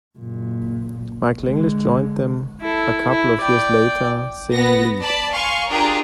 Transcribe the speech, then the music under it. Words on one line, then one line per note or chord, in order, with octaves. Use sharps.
Michael English joined them a couple of years later singing lead.
F#1 A#2
D3 G#3
E4 A4
E4
D5 G5
B3 A#6
D5 A5 B5
F5 G#5 C6 C#6
D4 F4 G4 G#4 A#4 A#5